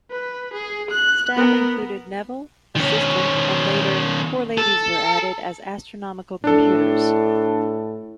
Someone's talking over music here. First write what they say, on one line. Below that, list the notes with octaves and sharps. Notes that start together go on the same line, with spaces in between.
Staff included Nevill, assistant, and later 'four ladies were added as astronomical computers'.
B4
G#4
F#6
B3 A#4
D#3 C#4
A4
A2 D4 A4